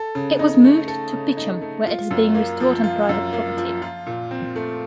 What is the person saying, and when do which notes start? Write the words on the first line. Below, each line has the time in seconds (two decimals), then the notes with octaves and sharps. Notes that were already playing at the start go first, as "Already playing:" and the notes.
It was moved to Peacham where it is being restored on private property.
Already playing: A4
0.15 C#3
0.39 D#4
0.64 A3
0.88 A4
1.13 C#3
1.37 D#4
1.61 A3
1.87 F4
2.11 F#2
2.35 A#3
2.60 F3
2.84 F4
3.09 F#2
3.33 A#3
3.57 F3
3.82 F4
4.07 A#2
4.31 C4
4.56 A3